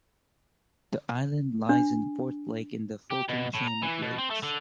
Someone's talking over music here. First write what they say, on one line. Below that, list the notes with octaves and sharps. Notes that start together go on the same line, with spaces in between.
The island lies in Fourth Lake in the Fulton Chain of Lakes.
D4
G4
B2
A2
A#5
E3
B2
C4
A3
D3